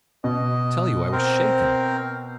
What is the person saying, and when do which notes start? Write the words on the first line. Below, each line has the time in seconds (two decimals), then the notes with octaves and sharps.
I tell you I was shaken.
0.24 B2 D#5
1.12 C4 A#4 C5